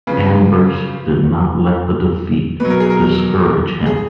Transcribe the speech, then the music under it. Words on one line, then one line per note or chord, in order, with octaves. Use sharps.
Ambers did not let the defeat discourage him.
C#3 F3 B4
B2 F#3 B4
A#4
G#4
A#4
G#4